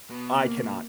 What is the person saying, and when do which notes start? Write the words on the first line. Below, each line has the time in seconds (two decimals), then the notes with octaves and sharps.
I cannot.
0.10 B2 B3
0.43 A#3